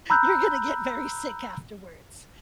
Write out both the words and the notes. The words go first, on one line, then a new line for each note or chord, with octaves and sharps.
you're gonna get very sick afterwards.
A#5 B5 E6 F#6 G6